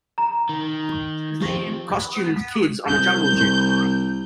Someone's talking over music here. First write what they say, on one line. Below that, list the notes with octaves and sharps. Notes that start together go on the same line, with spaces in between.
Costumed kids on a jungle gym.
A#5
D#3
F3 C4 G4
C2 G6